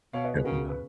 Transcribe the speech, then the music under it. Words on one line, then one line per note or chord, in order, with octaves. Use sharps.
definitely not.
B2 C#5 F5
B4 D#5
G#4 B4
C#3 F#4 A#4
B4